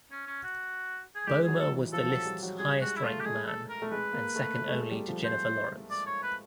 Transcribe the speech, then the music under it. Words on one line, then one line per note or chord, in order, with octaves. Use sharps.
Bomer was the list's highest ranked man and second only to Jennifer Lawrence.
C#4
C#4
F#4
G#4
G#3 G4
F#3 G#4
A4
E3
F3 A4
F#3
G3
F#3
G3 G#4
G#3 F#4
E4
A3 F4
G4
G#3 G#4
A4
A#4
A3
G#3 B4
A#3
A3
A3
A3
G#3
G3
F3
C5
D5
C#5
B4